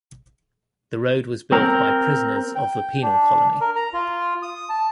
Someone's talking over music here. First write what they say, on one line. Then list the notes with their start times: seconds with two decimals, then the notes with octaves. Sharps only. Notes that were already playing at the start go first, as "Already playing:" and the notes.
The road was built by prisoners of the penal colony.
1.52 C4 A#4
2.55 G5
3.02 D4
3.61 A#4
3.76 A#5
3.93 F4
4.42 D#6
4.69 A5